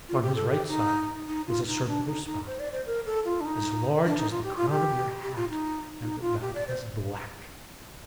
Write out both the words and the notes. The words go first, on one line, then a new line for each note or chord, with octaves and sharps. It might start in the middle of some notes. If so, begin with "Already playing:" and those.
On his right side was a circular spot, as large as the crown of your hat, and about as black!
F4
G4
A4
G4
D#4
D#4
F4
D#4
D4
D#4
D#4
C5
D5
C5
A#4
A4
F4
D4
D#4
D4
D#4
F4
G4
F4
G4
G4
F4
D#4
D#4
F4
G4
D5
C5